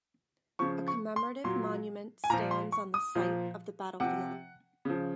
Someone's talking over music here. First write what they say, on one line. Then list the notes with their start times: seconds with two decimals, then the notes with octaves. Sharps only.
A commemorative monument stands on the site of the battlefield.
0.59 C#3 F3 C#6
0.88 C#6
1.16 C6
1.44 A#2 F#3 C6
2.24 G#5
2.30 A#2 A#5
2.33 F3
2.51 C6
2.72 C#6
2.94 D#6
3.15 A#2 F3
4.00 C3 F3 F#5
4.85 C#3 F3